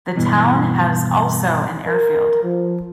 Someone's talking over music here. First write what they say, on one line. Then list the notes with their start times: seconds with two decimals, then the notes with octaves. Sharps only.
The town has also an airfield.
0.15 E2 G2 B2 E3
1.88 A#4
2.43 F3